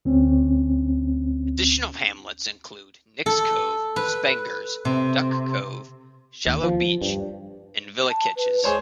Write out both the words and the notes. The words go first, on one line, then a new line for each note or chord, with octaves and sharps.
Additional hamlets include Nick's Cove, Spengers, Duck Cove, Shallow Beach, and Vilicichs.
D2 C4 C#4
A4
B4
C3
D#2
F3
G2
A5
B4
G#3 G#4 C5 C#5